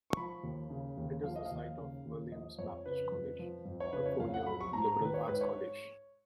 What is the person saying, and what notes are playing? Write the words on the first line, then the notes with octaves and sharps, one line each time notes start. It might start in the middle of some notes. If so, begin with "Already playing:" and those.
It is the site of Williams Baptist College, a four-year liberal arts college.
C#6
F3 B5
D#2
C#3
D#2
F3 F5
D#5
F5
D#2
C#3
D#2
F3 D#5
F2 C#5
C#3 B4
F2
F3
F2
C#5
C#3 B4
C#5
F2 F5
F#5
F#3 B5
C#6
G#2 A#5
A#5
D#3 B4
C#5
G#2 B4
C#5